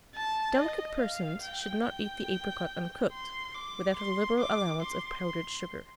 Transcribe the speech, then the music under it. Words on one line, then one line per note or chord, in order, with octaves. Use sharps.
Delicate persons should not eat the apricot uncooked, without a liberal allowance of powdered sugar.
A5
D#5
F5
G5
G5
C6
D6
C6
D6
C6
C6